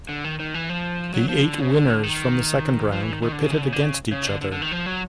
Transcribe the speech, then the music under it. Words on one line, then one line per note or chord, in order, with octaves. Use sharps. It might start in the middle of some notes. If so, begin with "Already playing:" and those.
The eight winners from the second round were pitted against each other.
D3
D#3
D#3
E3
F3
F#3
F3
D3
C#3
D3
D#3
F3
E3
D#3
D#3
D3
C#3
D3
C#3
D3
C#3
C#3
D3
D3
D3
D#3
F3
F#3